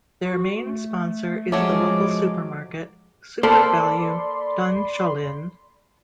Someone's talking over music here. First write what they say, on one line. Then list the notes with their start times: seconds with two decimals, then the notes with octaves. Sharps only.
Their main sponsor is the local supermarket, SuperValu Dunshaughlin.
0.25 F#4
0.64 A3
1.52 F3 F#3 G#3 A3 C#4 D6
3.43 A#3 A4 C5 D5 B5 C6